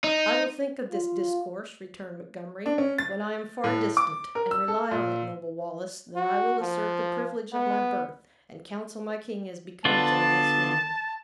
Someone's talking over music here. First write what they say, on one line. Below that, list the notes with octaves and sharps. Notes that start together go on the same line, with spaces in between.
"I will think of this discourse," returned Montgomery, "when I am far distant; and rely on it, noble Wallace that I will assert the privilege of my birth, and counsel my king as becomes an honest man."
D#4
F4
D4
C#4
A6
A2
D6
A#4
E6
A4
A#2
F#4
F3
B3
D3 B3 F4 A5